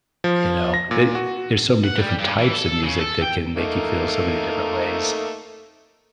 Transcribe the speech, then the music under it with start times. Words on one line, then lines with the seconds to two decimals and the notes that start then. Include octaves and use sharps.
you know? Th there's so many different types of music that can make you feel so many different ways.
0.24 F3
0.74 A#6
0.91 A#2
1.15 F#4
1.84 F#5
1.97 G3
2.19 G2
2.39 E3
2.53 A4
2.83 C#3
2.99 A4
3.22 G5
3.56 A3 A#3 D#4